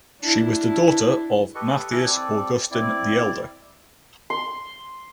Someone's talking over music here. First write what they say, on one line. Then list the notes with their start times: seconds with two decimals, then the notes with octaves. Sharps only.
She was the daughter of Mathias Augustin the Elder.
0.21 D4 E4
1.55 G4 A4 B4 D#5 C#6
1.91 E4 A4 B4 G#5 D#6 F6
2.06 C4 A4 D5
2.71 C4 E4 D5
4.30 C6